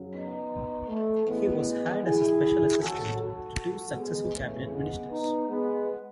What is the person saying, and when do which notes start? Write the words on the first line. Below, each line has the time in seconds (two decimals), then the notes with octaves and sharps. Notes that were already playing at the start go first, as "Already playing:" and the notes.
He was hired as a special assistant to two successive Cabinet ministers.
Already playing: F#2 C#3 F#3
0.11 B3 D#4
0.88 A3
1.26 A1 A2 E3 G#3 B3
2.03 E4 G#4
2.79 G#1 G#2 F#3 F#4 A4
3.18 F#4 A4
3.94 G#3 B3
4.33 E2 C#3 E3 A3 C#4
4.72 G#3 B3
5.10 B3 D#4
5.48 G#3 B3